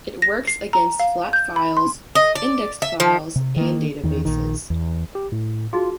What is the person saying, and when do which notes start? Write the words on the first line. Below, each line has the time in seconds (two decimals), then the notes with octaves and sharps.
It works against flat files, indexed files, and databases.
0.22 A#6
0.47 C7
0.73 A#5
1.00 F5
1.33 G6
1.56 B5
1.77 C6
2.15 D#5
2.35 D5
2.82 E5
3.00 F3
3.36 C3
3.56 D#3 A#3
4.03 E2 D#3
4.25 A#1 D#3
4.70 E2
5.15 G4
5.32 A2
5.73 D#4 F4 F#4 G#4